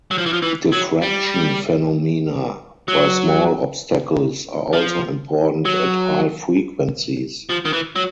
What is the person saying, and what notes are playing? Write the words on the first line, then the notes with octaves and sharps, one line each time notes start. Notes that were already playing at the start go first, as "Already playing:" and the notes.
Diffraction phenomena by small obstacles are also important at high frequencies.
F#3
F3
E3
F3
E3
F#3
G3
F#3
F3
F#3
F3
D#3
E3
F#3